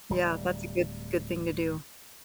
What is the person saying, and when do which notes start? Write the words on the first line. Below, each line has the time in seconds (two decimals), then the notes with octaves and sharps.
Yeah, that's a good good thing to do.
0.10 D1 G3